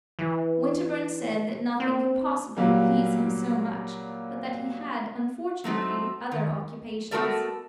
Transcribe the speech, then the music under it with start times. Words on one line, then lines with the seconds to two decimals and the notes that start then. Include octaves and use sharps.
Winterbourne said that nothing could possibly please him so much, but that he had unfortunately other occupations.
0.19 E3
1.80 C4
2.57 A#2 F#3 G3 A#3
5.64 F#3 A3 C4 D#4
6.32 D#3
7.11 A3 B3 F#4 A4 A#4 D5